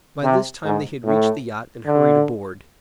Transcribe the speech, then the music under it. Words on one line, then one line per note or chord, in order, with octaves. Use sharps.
By this time they had reached the yacht and hurried aboard.
C3
G#2
A2
D3